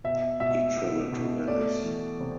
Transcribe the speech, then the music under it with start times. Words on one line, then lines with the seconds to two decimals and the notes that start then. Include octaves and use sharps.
He traveled to Venice.
0.04 B2 E5
0.40 B2 E5
0.77 B2
1.12 B2
1.48 A3 D5
1.84 E3
2.20 C3